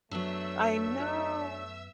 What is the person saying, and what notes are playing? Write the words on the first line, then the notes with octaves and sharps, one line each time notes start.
I know,
F#2 F#3 A3 B3 D4 E5 E6